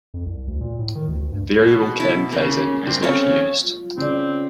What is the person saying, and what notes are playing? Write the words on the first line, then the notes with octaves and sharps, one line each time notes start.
Variable cam phasing is not used.
F2
C2
D2
A#2
A2
D#3
D2
D2
G2
B2
E4 A5
C#3 A#3
G2 C4
C4 C#4 A4 C#5 F5
F4
C#3 C4 D5